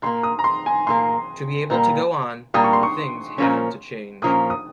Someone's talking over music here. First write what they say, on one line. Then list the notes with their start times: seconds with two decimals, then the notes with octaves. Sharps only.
To be able to go on, things had to change.
0.02 A#2 G3 A#3 C6
0.23 D#6
0.39 A#5
0.44 C6
0.66 G#5
0.87 A#2 G3 A#3 C6
1.70 A#2 G3 A#3
2.54 A#2 G3 A#3 D#6
2.64 C#6
2.73 C6
2.83 C#6
3.38 A#2 F3 A#3 C#4
4.22 A#2 F3 A#3 C#4 D#6
4.50 D#6